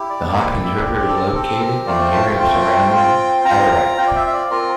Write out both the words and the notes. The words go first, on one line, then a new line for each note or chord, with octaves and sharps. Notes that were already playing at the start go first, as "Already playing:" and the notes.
The Hopkins River is located in the area surrounding Ararat.
Already playing: E4 G4
D5
A#3 E4 G4 D5
C5
D5
E5
C4 G4 D5
D5
A4
A#4
C4 G4 A4
A#4
A3 C4 F4 D5
C5
A5
G5
A3 C4 F4
C4 F4
C4 F4 A#5
A#5
C4 F4 G5
D5
E5
E5
D5
C4 F4 A#4